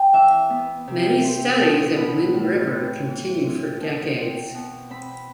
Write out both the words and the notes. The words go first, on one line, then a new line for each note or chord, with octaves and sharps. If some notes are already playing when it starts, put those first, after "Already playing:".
Many studies at Wind River continue for decades.
Already playing: C4 G5
E3 E5
B3
C3
C4
B2
B3 B5
A2
C4
E3
C4
B2
C4
B2
C4 B5